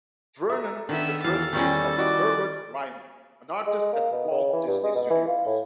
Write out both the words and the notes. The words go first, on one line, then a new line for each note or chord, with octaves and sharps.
Vernon is the birthplace of Herbert Ryman, an artist at Walt Disney Studios.
A4 E5 A#5
D#3 B3 D4 E5
E2 E3 F5 A6
E2 D#3 G3 C#4 C#6
E4 F#4 D5 D#5
G#3
A#3
B2
C#3
E3
G2
G#3
B2
E3
F4
A2